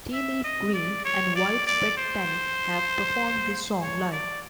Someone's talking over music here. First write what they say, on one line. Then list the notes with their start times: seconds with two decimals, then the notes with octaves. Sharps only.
Tea Leaf Green and Widespread Panic have performed this song live.
0.13 E5
0.44 D#5
0.74 D5
1.05 C#5
1.36 D5
1.67 D5
1.97 C5
3.82 C#5
4.12 D5